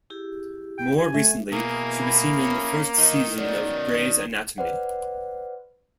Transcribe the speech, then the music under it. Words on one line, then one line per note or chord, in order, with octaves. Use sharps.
More recently, she was seen in the first season of "Grey's Anatomy".
E4 G4 G#4
G5
G#5
A3
B2 A#3 E4 G#4
B5
C#4
D#3 D#4 D#5
B3 C#4 F#4 D5
B4 C5 D5 F#5